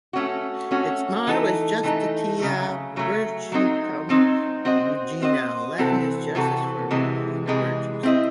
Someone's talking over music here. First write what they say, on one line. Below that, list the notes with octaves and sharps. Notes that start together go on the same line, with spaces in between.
Its motto is "Justitia Virtutum Regina", Latin for "Justice is Queen of Virtues".
A3 C#4 F#4
A3 C#4 F#4
E3 A3 D#4 A4
E3 A3 D#4 A4
C#3 F#3 A3
C#3 F#3 A3
F#3 C4 D#4
F#3 C4 D#4
C4 F#4 C5 D#5
C4 F#4 C5 D#5
C3 E3 C4 F#4 A4
C3 E3 C4 F#4 A4
C3 E3 G#3
C3 E3 G#3
C4 E4 C5 D#5